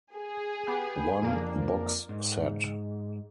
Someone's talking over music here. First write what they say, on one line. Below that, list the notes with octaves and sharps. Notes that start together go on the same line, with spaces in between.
One box set.
G#4
B3 G4
F2 A#3 D4
G#2